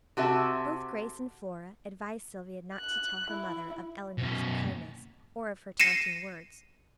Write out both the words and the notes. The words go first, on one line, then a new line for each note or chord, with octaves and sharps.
Both Grace and Flora advised Sylvia not to tell her mother of Elinor's unkindness, or of her taunting words.
C3 F#4 A4 E5
F#6
E4
F#2 B2
A#6 C7 C#7 D#7 E7